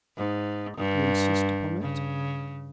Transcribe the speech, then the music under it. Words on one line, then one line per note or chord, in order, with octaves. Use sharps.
"You insist upon it?"
G#2
G2
C#3